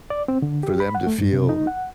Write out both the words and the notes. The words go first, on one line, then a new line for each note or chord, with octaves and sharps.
for them to feel,
D5
C4
D3
G4
B5
F#5
A3
G2
C3
D#4
F#5